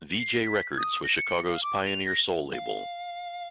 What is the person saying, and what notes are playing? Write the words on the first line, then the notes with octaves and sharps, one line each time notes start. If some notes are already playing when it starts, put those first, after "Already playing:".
Vee-Jay Records was Chicago's pioneer soul label.
C7
B6
D#6
A#6
C#7
F5
D6
F7
A#6
F5